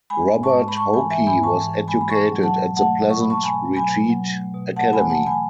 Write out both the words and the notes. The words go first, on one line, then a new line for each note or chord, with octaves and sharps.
Robert Hoke was educated at the Pleasant Retreat Academy.
G#3 G#5 B5
G#2
A5 C#6
G#3
B5
G#3 A5 C#6
G#5 B5
E3
E5 G#5
G#2
G#5 B5
E3 A5 C#6
E3
G#3 G#5 B5
B5
B2 A5 C#6
F#3
F#5 A5
B2
A3 F#5 A5
B2
C#6
F#3 B5
A5 C#6
B2 G#5 B5
F#3
G#5 B5
B2
F#3
A3
B2
A3 F#5 A5
G#5 B5
E3
F#5 A5
A3
G#5 B5